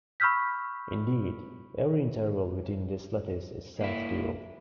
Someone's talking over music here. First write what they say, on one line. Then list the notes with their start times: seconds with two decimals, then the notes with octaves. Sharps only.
Indeed, every interval within this lattice is self-dual.
0.20 B5 C#6 E6 F6 G6 B6
3.81 A#3 E4